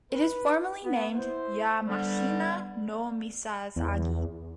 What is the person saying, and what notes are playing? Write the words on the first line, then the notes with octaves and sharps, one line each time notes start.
It is formally named "Yamashina no misasagi".
B4
B3
E4 C5
D3 G3 B3
E2